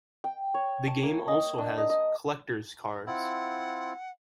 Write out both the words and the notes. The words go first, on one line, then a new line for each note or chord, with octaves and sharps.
The game also has Collector's cars.
G5
C#5
A5
A#3
D#5
D4
D#5
D#5
C4 E4 F4 F#5